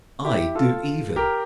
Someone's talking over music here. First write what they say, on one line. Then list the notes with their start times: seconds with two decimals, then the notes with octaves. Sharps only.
I, do evil!
0.25 E4 G4
0.55 F4 A4
1.16 G4 A#4